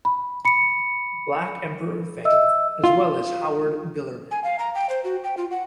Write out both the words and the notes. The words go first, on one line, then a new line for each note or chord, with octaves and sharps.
Black Emperor fame, as well as Howard Bilerman.
B5
B5 C#7
D#5 E5 E6
F4
G#5
F5
A#5
G5
C5
F#4
G5
F4
F#5